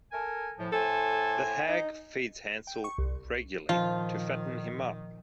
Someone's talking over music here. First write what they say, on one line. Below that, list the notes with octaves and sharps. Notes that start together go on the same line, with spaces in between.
The hag feeds Hansel regularly to fatten him up.
A4 A#4 G#5
A2 F3
A2 A4 C5 G#5
D#4
G5
C#6
C2
A#2 D#3 F3 F4